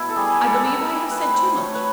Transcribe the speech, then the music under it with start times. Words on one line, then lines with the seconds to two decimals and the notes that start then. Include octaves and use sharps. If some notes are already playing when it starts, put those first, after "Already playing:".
I believe I have said too much.
Already playing: B2 E4
0.09 A4
0.16 G3 G#4
0.40 A#4
0.47 A4
0.63 G3
0.79 A#4
1.10 A3 B4
1.34 C5
1.57 A3 C#5
1.74 B4